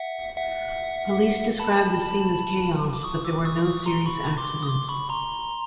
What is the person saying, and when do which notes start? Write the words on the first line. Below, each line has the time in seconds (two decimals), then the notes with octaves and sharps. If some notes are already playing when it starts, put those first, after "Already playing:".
Police described the scene as chaos but there were no serious accidents.
Already playing: E5 F#5
0.36 E5 F#5
1.59 A5 B5
2.93 D6
3.03 C#6 D#6
3.24 D6 E6
3.45 C#6 D#6
3.65 C#6 D#6
3.86 A#5 C6
4.06 B5 C#6
4.38 C6 D6
4.63 D#6
4.67 C6 D6
4.89 B5 C#6
5.09 A#5 C6